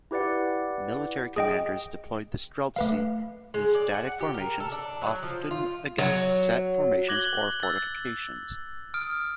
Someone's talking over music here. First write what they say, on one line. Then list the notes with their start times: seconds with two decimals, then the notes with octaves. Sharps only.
Military commanders deployed the streltsy in static formations, often against set formations or fortifications.
0.11 E4 G4 B4 D5 F#5
1.36 G#4 D#5 G5
2.76 A3 B4 F5
3.54 G#3
3.75 D5
3.94 F#5
4.21 G4
4.34 A#4
4.60 A4
4.72 D4
5.01 F#3
5.23 F3
5.51 F4
5.98 F#3
7.09 D6 F#6 G#6 A#6 F#7 G7
7.63 E6 A6
8.94 D#6 F6 D7